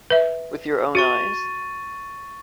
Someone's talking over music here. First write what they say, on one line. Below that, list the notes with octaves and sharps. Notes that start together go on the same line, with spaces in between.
With your own eyes?
B4 E5
F#4 C#6 A6 D#7